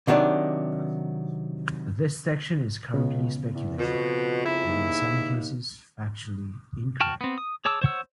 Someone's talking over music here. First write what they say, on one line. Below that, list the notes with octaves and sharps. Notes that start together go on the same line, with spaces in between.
This section is currently speculative, and in some cases factually incorrect.
C3 D#3 F#3 D4 G4
C#2 C#3 B3
E2
F2 B2
G#2 E4
D#2
F#4 G5 A5 F6
B3 C4
D#6
G#4 C#5 A5 D6 E6
C5 C#5 F#5 E6